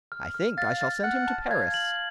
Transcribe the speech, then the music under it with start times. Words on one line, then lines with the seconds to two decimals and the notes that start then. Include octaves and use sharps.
"I think I shall send him to Paris."
0.12 F6
0.34 F6
0.58 F5 A6
0.81 A6
1.04 F#5 F6
1.28 A5
1.50 F5 G#6
1.74 F#7